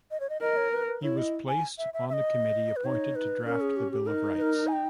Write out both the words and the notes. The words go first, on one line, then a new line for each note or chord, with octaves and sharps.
He was placed on the committee appointed to draft the Bill of Rights.
D#5
C#5
D#5
A#4 D#5
C#5
B4
B4
E4 C#5
D#5
G#5
E5
E5
E5
D#5
B4
D#4 C#5
B4
C#4 A#4
G#4
G4
G4
D#4 A#4
B4
A#4
G#5
G5